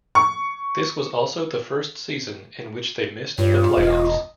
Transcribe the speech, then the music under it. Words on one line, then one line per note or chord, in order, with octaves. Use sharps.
This was also the first season in which they missed the playoffs.
C#6
G2 F4 C#5
E1 D#5